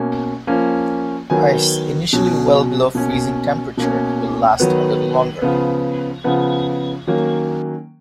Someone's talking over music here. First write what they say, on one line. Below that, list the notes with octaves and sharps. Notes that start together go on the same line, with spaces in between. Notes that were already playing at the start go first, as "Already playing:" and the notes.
Ice initially well below freezing temperature will last a little longer.
Already playing: B2 A#3 C#4
F3 A#3 C#4
D#3 F#3 B3 G#5
B2 F#3 C#4
B2 A#3 C#4
B2 A#3 C#4
D#3 F#3 B3
C#3 F3 B3
C#3 F3 B3 F#5
D#3 F#3 A#3 C#4